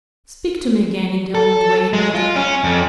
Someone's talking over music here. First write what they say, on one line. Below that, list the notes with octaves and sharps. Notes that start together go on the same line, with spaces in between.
Speak to me again in the old way, mother.
A4
G#3
F4
C#4
F2